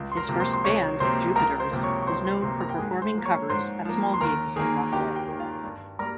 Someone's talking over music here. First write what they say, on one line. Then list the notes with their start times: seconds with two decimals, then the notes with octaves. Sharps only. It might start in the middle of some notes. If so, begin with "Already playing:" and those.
His first band 'Jupiters' was known for performing covers at small gigs in Lahore.
Already playing: C#2
0.12 C6
0.17 A#4 A#5
0.28 C3 F3 A#3
0.40 C5 C6
0.54 C6
0.64 C#2 C#5 C#6
1.00 C3 F3 A#3 C5 C6
1.35 C#2 A#4 A#5
1.59 C5 C6
1.71 C3 F3 A#3
1.83 C#5 C#6
2.02 C#6
2.07 C#2 C5 C6
2.25 C5 C6
2.42 C3 F3 A#3 C5 C6
2.60 A#4 A#5
2.70 G5
2.78 G#2 G#4 G#5
3.02 C5 C6
3.14 F3 A#3
3.26 C#5 C#6
3.50 G#2 C5 C6
3.85 F3 A#3
4.14 C6
4.21 D#2 A#4 A#5
4.56 D#3 A#3 G#4 G#5
4.92 D#2 G4 G5
5.16 G4 G5
5.28 D#3 A#3
5.40 F4 F5
5.63 G2
5.99 G3 A#3 A#4 A#5